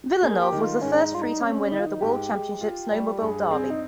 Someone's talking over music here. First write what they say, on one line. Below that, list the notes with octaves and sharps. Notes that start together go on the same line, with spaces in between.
Villeneuve was the first three-time winner of the World Championship Snowmobile Derby.
A#3 G#4
G4
D#3
F4
G#2 C#4
D#4
G3 F4
D#4
C4 C#4
D#3 D#4
F4
D#4
G#2 G4
G#3
F4
G3
G2 G#4
C4 G#4
D#4